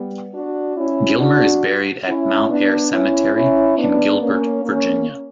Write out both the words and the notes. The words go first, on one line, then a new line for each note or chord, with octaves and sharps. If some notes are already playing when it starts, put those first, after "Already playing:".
Gilmer is buried at Mount Air Cemetery in Gilbert, Virginia.
Already playing: G3 B3
D4 F#4
C#4 E4
D4 F#4
C#4 E4
B3 D4
C#4 E4
C#4 E4
B3 D4
A#3 C#4
A#3 C#4